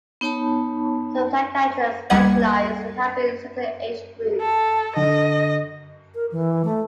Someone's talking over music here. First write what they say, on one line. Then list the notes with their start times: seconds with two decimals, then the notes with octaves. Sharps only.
Some psychiatrists specialize in helping certain age groups.
0.21 B3 D#4 C#5 A5 B5
2.10 C#2 G3 A#3 D#5 F#5 G#6
4.41 A4
4.96 D3 D#5
6.15 A#4
6.32 E3
6.65 A3